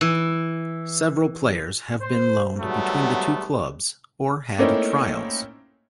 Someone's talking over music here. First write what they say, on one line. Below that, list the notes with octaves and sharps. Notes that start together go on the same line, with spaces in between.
Several players have been loaned between the two clubs or had trials.
E3
C5
D#2 G#2 F#3 G3 A3 B3
A3 A#3 C4 C#4 D#4 E4